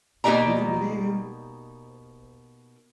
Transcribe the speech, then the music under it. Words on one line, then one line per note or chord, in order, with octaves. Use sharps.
Do you believe him?
B2 A#3 D#4 G4 D5 A#5